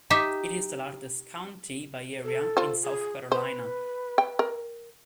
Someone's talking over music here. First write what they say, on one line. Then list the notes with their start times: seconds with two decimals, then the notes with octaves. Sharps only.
It is the largest county by area in South Carolina.
0.10 D#4 G4 E5
2.24 A4
2.57 F4 C5
2.83 G#4
3.32 B4 C5
4.18 G5
4.39 A#4